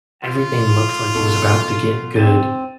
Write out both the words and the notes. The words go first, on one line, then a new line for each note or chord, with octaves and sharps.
everything looked like it was about to get good,
F4
B2 A4
C4 A6 D#7 E7